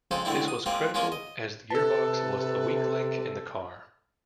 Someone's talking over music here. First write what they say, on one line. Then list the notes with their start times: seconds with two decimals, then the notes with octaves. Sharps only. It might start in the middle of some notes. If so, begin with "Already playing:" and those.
This was critical as the gearbox was the weak link in the car.
0.11 F2 C#3 G#3 A4 C5
0.25 A2 D3 G#3 C4 D4 E4
0.48 D#6
0.66 G#3 A#3 C4 F4
0.94 G#3 A#3 C#4 F4 A#4
1.12 D#5
1.70 C3 A4 B4 A5